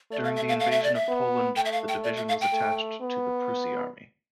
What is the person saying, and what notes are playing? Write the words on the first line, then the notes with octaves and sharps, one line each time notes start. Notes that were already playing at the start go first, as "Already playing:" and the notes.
During the Invasion of Poland, the division was attached to the Prusy Army.
A3 D5
F5
E5
F5
F5
E5
D5
E5
B3
A3 G5
E5
F5
G5
D5
E5
F5
G5
A3
B3